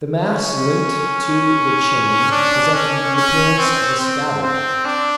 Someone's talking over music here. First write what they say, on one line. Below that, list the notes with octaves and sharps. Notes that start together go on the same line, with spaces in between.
The mass linked to the chain presented the appearance of a scabbard.
C#4
D4
C#4
C#4
C4
C4
C4
D4